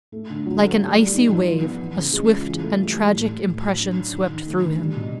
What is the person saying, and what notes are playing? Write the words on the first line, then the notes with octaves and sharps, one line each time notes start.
Like an icy wave, a swift and tragic impression swept through him.
A3
D3
F#3
A3
G3
G3
D#4
F3
E4
B3
E3
C#3
G#3
F4
E3
A3
G3
G3
A2
A2
A2
F#3
D4
D4
D#3
D#3
A3
D3
G3
B2